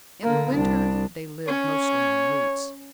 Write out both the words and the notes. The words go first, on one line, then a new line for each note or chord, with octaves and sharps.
In the winter they live mostly on roots.
D3 A#3
C2 D4
C#4 C#5